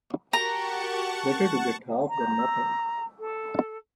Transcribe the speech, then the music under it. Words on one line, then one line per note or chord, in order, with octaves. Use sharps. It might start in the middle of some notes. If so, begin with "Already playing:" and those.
Better to get half than nothing.
F#4 G4 A#4 F#5 A5 A#5 C#6
A#5
A4